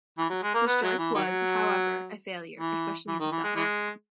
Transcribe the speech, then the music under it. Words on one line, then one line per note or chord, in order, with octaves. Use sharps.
The strike was, however, a failure, especially in the South.
E3
F#3
G#3
A#3
B3
F#3
E3
D#3 F#3
E3
E3
D#3
E3
G#3
E3 G#3